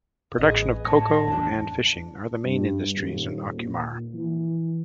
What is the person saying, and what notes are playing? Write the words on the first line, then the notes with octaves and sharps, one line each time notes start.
Production of cocoa and fishing are the main industries in Ocumare.
A1 G#4 B4 D#5
A2 C#5 A5 A#6
E2 D4 G4 A5
G2
D#1
A#2
E3